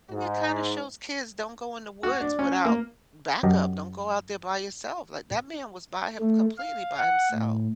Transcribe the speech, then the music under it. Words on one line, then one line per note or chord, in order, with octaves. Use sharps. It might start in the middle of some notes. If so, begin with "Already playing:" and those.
And it kinda shows kids don't go in the woods without backup. Don't go out there by yourself. Like, that man was by him completely by himself.
G#2
F#4
D4
C#4
A#3
F#2 F#3 G4 D#5 A5
A3
F5
F#5
A2